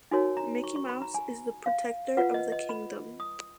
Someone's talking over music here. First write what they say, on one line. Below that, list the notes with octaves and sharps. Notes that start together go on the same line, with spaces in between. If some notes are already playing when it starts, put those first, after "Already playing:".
Mickey Mouse is the protector of the Kingdom.
D#4 F#4 A#4 C#5 G#5
A#5
C#6
C#6
B5
A#5
G#5
F5
F4 B4 F#5
D#5
D#5
B5
D#6